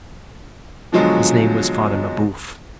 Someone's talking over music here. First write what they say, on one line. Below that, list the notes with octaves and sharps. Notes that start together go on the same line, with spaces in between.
His name was Father Mabeuf.
B2 D3 F3 F#3 G#3